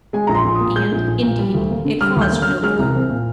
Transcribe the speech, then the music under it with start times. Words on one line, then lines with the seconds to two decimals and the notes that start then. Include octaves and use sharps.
And, indeed, it caused no gloom.
0.13 G#3 G#5
0.27 A#1 A#5
0.34 C6
0.45 A#1
0.55 D#6
0.60 A#2
0.76 G#3 G6
0.92 A#1
1.08 A#1
1.23 A#2
1.39 G3
1.54 D2
1.70 A#3
1.85 D3
2.01 G3 F6
2.16 D2
2.21 G6
2.32 A#3
2.42 F6
2.48 D3
2.63 G#3 F6
2.79 C2
2.95 C4
3.10 A#2